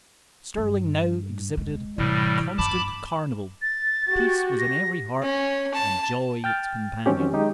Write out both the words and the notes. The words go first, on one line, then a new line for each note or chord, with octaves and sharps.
Stirling now exhibited a constant carnival; peace was in every heart, and joy its companion.
G2
G#3
A2 C3 E3 G3
G2 G#3 A5 B5 D6
A6
F#4 G4
A#6
C#4
A5
G5 F6 A6
D#3 F#3 C4 C#4 G4
G#3 D#4 G4